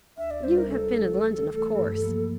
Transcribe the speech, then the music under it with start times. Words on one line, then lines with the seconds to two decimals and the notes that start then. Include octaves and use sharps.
You have been in London, of course.'
0.18 D2 E5
0.31 D5
0.44 C3 G3 D4 F4 C5
0.58 A#4
0.70 C3 A4
0.97 E3 A3
1.23 C3
1.49 E3 A3
1.76 G2
2.02 F3 A#3